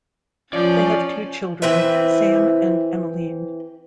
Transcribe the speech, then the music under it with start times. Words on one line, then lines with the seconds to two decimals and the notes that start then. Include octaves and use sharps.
They have two children, Sam and Emelyn.
0.53 F3 C#4 D5
1.62 E3 C4 B4 E5